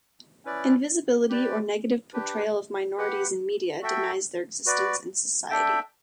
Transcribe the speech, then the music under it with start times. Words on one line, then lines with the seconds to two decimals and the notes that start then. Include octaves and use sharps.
Invisibility or negative portrayal of minorities in media denies their existence in society.
0.45 C#4 E4 B4 D5
1.29 G4 B4 D5
2.13 D4 G4 B4
2.97 G4 B4 F#5
3.82 F#4 A4 E5 G5
4.66 F#4 B4 D5
5.50 D4 A4 E5 G5